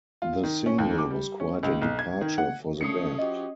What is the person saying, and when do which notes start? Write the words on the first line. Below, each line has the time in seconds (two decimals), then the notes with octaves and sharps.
The single was quite a departure for the band.
0.22 F4
0.43 D#3
0.66 C#4
0.78 D#2
0.98 D6
1.11 G3
1.40 C#4
1.63 C#2
1.82 B1
1.99 G#6
2.21 D#3
2.38 F#5
2.81 A#2 A3 C#4 D#6 C7 C#7
3.19 F3 F#4 G4 D#5